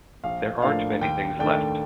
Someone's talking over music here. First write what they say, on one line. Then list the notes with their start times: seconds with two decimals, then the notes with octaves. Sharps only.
There aren't many things left.
0.24 A#1 F5
0.62 A2 F3 A#3 D4 F5
1.01 D#2 G5
1.39 D#3 A3 D4 G5